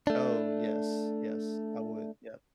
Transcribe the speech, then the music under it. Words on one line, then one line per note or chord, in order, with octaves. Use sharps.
Oh, yes, yes, I would, yep.
A3 D4